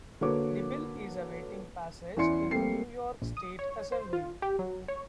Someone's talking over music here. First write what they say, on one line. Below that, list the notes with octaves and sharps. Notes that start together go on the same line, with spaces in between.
The bill is awaiting passage in the New York State Assembly.
D3 A#3 F#4 B4 C#5 D6
E2 C#4 E4 D5 C6 C#7
G3 A3 A#3 C4 C7
A#1
D#6
C#5
C5
F4
G4
F#3
C#5